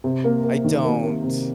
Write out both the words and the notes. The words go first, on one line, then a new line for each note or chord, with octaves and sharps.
I don't.
C3
A#3
A#3
D#3
A#3
A#3
C3